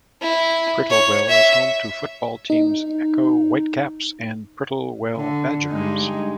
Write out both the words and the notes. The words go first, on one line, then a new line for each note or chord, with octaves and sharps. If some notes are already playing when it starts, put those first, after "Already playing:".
Prittlewell is home to football teams Ecko Whitecaps and Prittlewell Badgers.
E4
C#5
E5
D#4
D3
G2 G#3 D#4